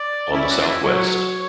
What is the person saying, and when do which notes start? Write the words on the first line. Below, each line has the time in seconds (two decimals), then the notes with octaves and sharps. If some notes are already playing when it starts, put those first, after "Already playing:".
On the Southwest.
Already playing: D5
0.32 C#4 E4 D5
0.50 F#4
0.61 D4
0.67 E4
0.84 F#3 C#5